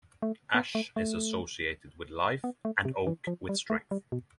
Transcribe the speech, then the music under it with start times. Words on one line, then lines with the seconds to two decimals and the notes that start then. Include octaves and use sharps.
Ash is associated with life and oak with strength.
0.22 A3
0.54 B3
0.75 A3
0.96 A3
2.44 B3
2.65 A3
2.85 C3
3.07 E3
3.27 F3
3.49 G3
3.70 A3
3.91 G3
4.12 B2